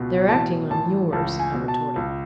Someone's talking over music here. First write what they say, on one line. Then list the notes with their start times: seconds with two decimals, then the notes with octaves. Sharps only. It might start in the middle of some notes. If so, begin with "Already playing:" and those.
"They're acting on yours," I retorted.
Already playing: C#2 B2
0.29 A1 A5
0.70 A1 A5
1.12 C#2 A5
1.39 G#5
1.53 B2
1.68 A5
1.96 C#2